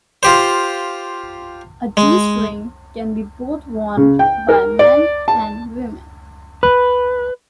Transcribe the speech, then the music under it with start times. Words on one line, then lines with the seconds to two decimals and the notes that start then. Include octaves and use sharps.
A G-string can be both worn by men and women.
0.23 F4 G4 C5
1.97 G#3
3.97 C#3
4.19 G5
4.49 A#4
4.79 D5
5.28 A5
6.63 B4